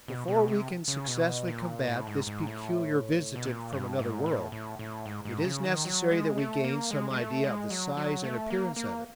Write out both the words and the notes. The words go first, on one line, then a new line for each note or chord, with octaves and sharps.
Before we can successfully combat this peculiar visitant from another world, it is necessary that we gain some idea of the size and appearance of it.
B2
B2
C3
C#3
B2
A#2
A2
G#2
G#2
A2
B2
A#2
G2
G#2
A2
A2
A2
G#2
G#2
C#3
D#3
F#3
G#3
A3
A#3
G#3
G#3
A3
G#3
F#3
F#3
A3
A#3
A#3